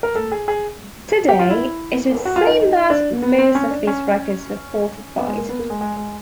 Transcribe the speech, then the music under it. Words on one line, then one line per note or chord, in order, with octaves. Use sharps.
Today it would seem that most of these records were falsified.
A#4
A4
G#4
G#4
G4
F4
E4
F#4
F4
D#4
D4
B3
C4
C#4
D4
C#4
B3
G#3
A#3
B3
A#3
G#3
G#3
G#3